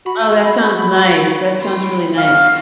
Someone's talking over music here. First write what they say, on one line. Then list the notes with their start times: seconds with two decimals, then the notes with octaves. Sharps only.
Oh, that sounds nice, that sounds really nice.
0.06 F#4 B5
1.60 E4 C6
2.17 E2 F#4 F5